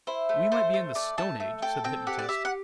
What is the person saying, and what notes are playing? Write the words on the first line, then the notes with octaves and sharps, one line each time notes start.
"We might be in the Stone Age," said the hypnotist.
E4 C5
A3
A3 C5
A3
A3 D5
A3 A5
A3
A4 G5
C4 G5
G4 F#5
D5
G4 E5
F#5